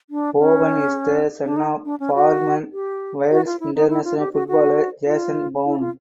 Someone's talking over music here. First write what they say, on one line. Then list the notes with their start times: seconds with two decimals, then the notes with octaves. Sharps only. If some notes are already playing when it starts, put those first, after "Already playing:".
Bowen is the son of former Wales international footballer Jason Bowen.
0.10 D4
0.40 C#4
1.45 D4
1.56 D#4
1.85 D4
2.00 C#4
2.15 F#4
2.73 G4
3.31 F#4
3.46 F4
3.60 E4
3.75 D#4
3.90 E4
4.04 F4
4.19 G4
4.33 F#4
4.48 F#4
5.06 F4
5.65 E4
5.80 F4